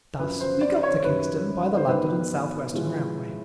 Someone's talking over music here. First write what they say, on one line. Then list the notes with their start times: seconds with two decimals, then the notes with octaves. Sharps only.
Thus we got to Kingston by the London and South-Western Railway.
0.19 F#2 C#3 F3 B4
0.40 C5
0.61 D5
0.83 C#5
1.04 F#2 D#3 G3 B4
1.77 C5
1.88 G#2 D#3 F#3 B3 B4
2.73 A2 F3 G#3